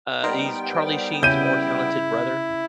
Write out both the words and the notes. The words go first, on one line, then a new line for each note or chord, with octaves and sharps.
uh, he's Charlie Sheen's more talented brother.
G3 B3 D#4 A#4 C5 G5
C#3 E4 G6 D#7